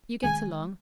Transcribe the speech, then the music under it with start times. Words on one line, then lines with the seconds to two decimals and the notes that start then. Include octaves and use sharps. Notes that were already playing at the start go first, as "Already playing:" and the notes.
You get along.
0.23 D#3 G#3 C4 G#5